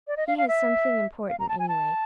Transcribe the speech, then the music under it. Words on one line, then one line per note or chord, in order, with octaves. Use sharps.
He has something important, anyway.
D5
D#5
F5
F5
E5
F5
A#5
A5
G#5
A5